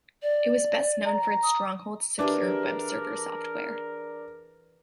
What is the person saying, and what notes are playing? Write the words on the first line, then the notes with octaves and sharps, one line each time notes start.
It was best known for its Stronghold secure webserver software.
D5
A#5
D#6
E3 D4 G4 G#4 A#4 D#5